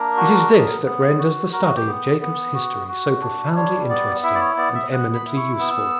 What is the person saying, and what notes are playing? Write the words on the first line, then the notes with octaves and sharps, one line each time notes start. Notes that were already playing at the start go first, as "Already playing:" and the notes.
It is this that renders the study of Jacob's history so profoundly interesting and eminently useful.
Already playing: A#3 D4 A#4
F#4
B3
B3
F#4
F#4 A#4
F#4
G4
B3
B3
F#4
F#4
D4
G3 C#5
B3 D5
E4 E5
D5
C#5
B3 D5
E5
B3 F#5
B5
E4
C#6
B3 E6